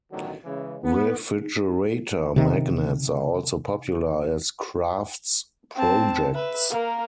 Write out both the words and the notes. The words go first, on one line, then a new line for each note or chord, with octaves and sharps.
Refrigerator magnets are also popular as crafts projects.
A1 D2 B2 D3 D#3 F#3
C#3 E3 G#3
B3
C3 D#3
C4 A5
B4 E5
A#3 A#4